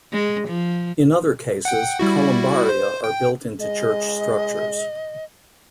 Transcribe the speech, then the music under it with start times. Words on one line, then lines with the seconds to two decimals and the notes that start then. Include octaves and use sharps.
In other cases, columbaria are built into church structures.
0.13 G#3
0.48 F3
1.65 F#5 G5
1.99 G3 E4 F#4
2.69 C5
3.04 G5
3.60 G#3 D#5